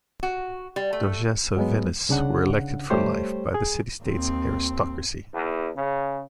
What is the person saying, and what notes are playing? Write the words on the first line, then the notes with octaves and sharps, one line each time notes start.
Doges of Venice were elected for life by the city-state's aristocracy.
F#4
G3
A3
F#3 G#3 B3
C2 C#3 D4 F#5
G3 A3 G4 C5 C#5
G#4
D#2 C4
E2
C#3